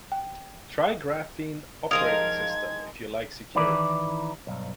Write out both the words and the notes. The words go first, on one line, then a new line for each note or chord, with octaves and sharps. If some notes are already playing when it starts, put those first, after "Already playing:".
Try Graphene Operating System, if you like security.
G5
D#3 F3 G#3 A#4 F5 A5 D#6 G#6
D#3 E3 E4 B4 D5
B1 G2